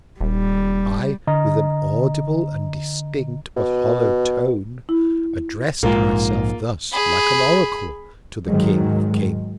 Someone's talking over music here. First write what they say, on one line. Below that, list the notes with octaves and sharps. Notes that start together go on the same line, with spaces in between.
I, with an audible and distinct, but hollow Tone, address'd my self thus, like an Oracle, to the King of Kings.
D#1 G3
D3 D#5 A#5
B2
E4
A#1 G#2 G#3 A#3 F4
G#4 B5
G#2 D#3 F#3 G#3